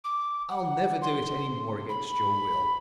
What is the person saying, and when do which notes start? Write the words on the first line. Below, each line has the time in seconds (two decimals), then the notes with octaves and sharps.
I'll never do it any more against your will.
0.04 D6
0.49 F#5
1.01 C6
1.89 B5